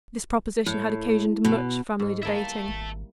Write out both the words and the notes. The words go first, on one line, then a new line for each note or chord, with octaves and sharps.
This proposition had occasioned much family debating.
A2
B2
G#2
G3 A#3 E4 E5 A5
G#1